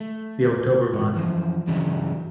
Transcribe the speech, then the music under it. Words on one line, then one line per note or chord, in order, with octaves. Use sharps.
the October month,
A3
G#2 E3
F#2 E3 F3 C5
G2 C#3 E3 F#3 G3